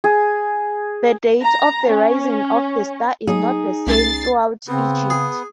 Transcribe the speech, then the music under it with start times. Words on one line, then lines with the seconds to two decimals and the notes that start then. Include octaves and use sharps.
The date of the rising of the star is not the same throughout Egypt.
0.04 G#4
1.42 A#5
1.89 C#4
3.27 F#3 A#3 D#4 G#4
3.87 C2 A3 C#4 A6 C7
4.68 C#3 B3 C4
5.10 G#4